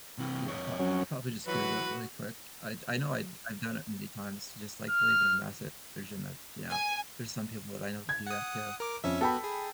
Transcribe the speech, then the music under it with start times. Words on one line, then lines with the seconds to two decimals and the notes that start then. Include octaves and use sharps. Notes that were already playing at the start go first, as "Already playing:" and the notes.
Yeah, prob probably just Google it really quick. I'd I know I'd I've done it many times just, like, leaving a message and then, yeah, there's some people that I know that do that too.
0.18 C3 E3
0.47 F2 C#5
0.79 F#3 C#4
1.47 E3 F#3 F#4 B4
4.90 F6
6.71 G#5
8.09 G#6
8.27 F#5 D#6
8.80 A#4 D6
9.04 F2 C#4 E5
9.21 B3 F#4 A4 G5 B5
9.44 G#4